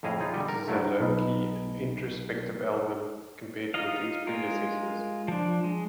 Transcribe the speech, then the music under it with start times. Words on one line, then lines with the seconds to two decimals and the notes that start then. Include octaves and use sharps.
It is a low-key and introspective album compared with its predecessors.
0.03 F2 A2 G#4 D#5 F5
0.20 D#4 F4 G#4
0.33 D3 G3
0.49 A#4
0.68 G2 F#3 A3
1.00 B1 D#4 B4 D#5
3.74 D#4 F4 D#5 F5
4.27 G#3 F4 A#4
5.28 F3 D4
5.64 G#3